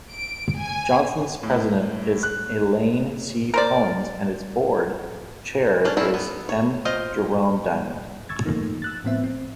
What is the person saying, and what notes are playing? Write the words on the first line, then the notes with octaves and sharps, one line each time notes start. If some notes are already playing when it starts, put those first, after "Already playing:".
Johnson's president is Elaine C. Collins and its board chair is M. Jerome Diamond.
D7
G#5
A2
F#6
A#4 C5 D5
C#4 D4 D5
G3 A3 C4 C#4 E4
B3
C#5
F4 C5 D#5 G5
C#6 E6 G#6 A6
F3 A3 A#3 D#4
E6 F#6 A6
A2 F3 B3 C4 E5
C4